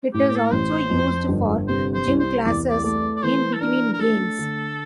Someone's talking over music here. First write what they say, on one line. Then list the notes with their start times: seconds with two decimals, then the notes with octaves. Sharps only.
It is also used for gym classes in between games.
0.13 A2 G4
0.28 G4
0.36 A4
0.45 A#4
0.52 A1 C5
0.90 F2
1.29 G1
1.67 C3 C5
1.94 C5
2.07 C2
2.19 C5
2.45 E2 D5
2.69 D5
2.84 A3 D5
3.16 D5
3.23 E3 C5
3.53 A4
3.61 D4 A#4
3.93 A#4
3.99 A3 A4
4.39 D3